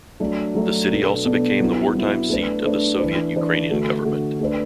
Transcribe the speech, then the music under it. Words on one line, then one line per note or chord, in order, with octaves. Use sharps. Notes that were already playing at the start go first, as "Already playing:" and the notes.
The city also became the wartime seat of the Soviet Ukrainian government.
F#3 A3 D4
F#3 A3 D4
B2 B3 D4 A4
B2 B3 D4 A4
F#3 B3 E4
F#3 B3 E4
A3 D4 B4
A3 D4 B4
E3 D4 B4
E3 D4 B4
D3 A3 F#4
D3 A3 F#4
A3 D4 B4